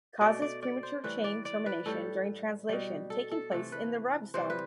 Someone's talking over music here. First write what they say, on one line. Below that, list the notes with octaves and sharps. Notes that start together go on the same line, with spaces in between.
Causes premature chain termination during translation taking place in the ribosome.
B2 A3 D5
D5
D5
C5
A2 E3 G3 B4
D5
D5
B4
A2 G3 A4
B2 G3
A4
A4
C3 E3 A3 A4
B4
C3 E3 G3 C5
B4